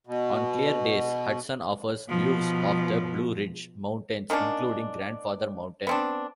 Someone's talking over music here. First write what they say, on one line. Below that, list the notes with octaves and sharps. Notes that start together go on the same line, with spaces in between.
On clear days, Hudson offers views of the Blue Ridge Mountains, including Grandfather Mountain.
B2
B2 F3
D#3 A#3 C#4 D4
B3 C4 D4